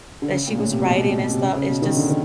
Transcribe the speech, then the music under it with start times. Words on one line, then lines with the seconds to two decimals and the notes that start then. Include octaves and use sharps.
that she was writing and stuff. It's just
0.22 D3
0.31 C#3
0.47 A#2
0.58 A2
0.72 C3
0.86 B2
1.31 C3
1.41 C#3
1.55 C#3
1.69 B2
1.82 D#3
1.96 D3
2.09 D#3